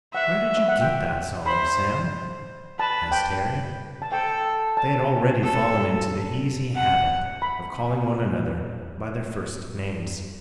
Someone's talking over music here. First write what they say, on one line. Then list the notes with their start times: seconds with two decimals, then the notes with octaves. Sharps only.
"Where did you get that song, Sam?" asked Harry--they had already fallen into the easy habit of calling one another by their first names.
0.14 E5 F#5
0.57 E5
0.68 F#5
0.81 G5
1.46 C5 B5
2.79 B4 A5
3.12 G5
4.02 A5
4.12 A4 G5
4.77 A5
5.43 A4
6.76 F#5
7.42 B5